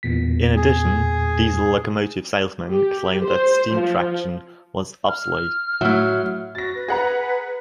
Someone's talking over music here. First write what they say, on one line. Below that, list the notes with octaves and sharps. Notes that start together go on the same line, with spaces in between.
In addition, diesel locomotive salesmen claimed that steam traction was obsolete.
E2 A#2 B6
G#4
G4
C5
F3
F6
A2 F#3 A3 E4 E5
F#4 A6 A#6
B4
G#4 B4 F#5 A#5